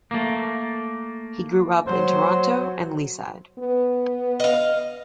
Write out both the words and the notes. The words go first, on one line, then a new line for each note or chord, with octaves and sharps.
He grew up in Toronto and Leaside.
A3 A#3
F#3 C5
B3
D#5 F5